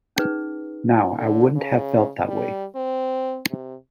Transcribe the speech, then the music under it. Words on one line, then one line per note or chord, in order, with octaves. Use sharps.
Now, I wouldn’t have felt that way.
C#4 D#4 G#4 B4
D3
C#3
G3
C4
C3